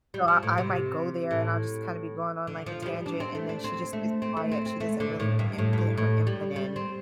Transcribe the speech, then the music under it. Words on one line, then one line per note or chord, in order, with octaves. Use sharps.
So, I I might go there and I'll just kinda be going on like a tangent and then she just gets quiet, she doesn't really input her input in.
G3
F3
A2
C3
A2
D3
F3
F3
G3
D4
C4
A3
D4
C4
A3
C4
A3
C4
C4
A3
D3
A2
G2
A2
G2
A2
A2
G3
G3
C4